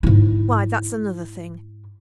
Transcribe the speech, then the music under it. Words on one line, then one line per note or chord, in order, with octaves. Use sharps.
'Why, that's another thing.
G#2 E4